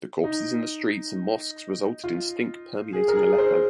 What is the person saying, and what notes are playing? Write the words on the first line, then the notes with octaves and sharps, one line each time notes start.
The corpses in the streets and mosques resulted in stink permeating Aleppo.
D#4
F4
G#4
A#4
G#4
C5